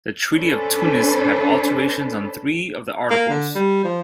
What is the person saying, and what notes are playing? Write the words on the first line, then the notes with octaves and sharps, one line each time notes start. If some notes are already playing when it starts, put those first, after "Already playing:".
The Treaty of Tunis had alterations on three of the articles.
C#4 D4 A4 B4 C5
A#3
D3
G3
F3